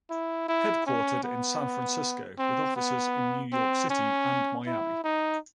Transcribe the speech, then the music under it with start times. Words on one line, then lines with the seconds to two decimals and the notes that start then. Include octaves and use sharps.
Headquartered in San Francisco, with offices in New York City and Miami.
0.10 E4
0.48 E4
0.86 C#4
1.24 B3
2.38 C4
2.76 B3
3.53 C4
3.90 C#4
4.67 E4
5.04 D#4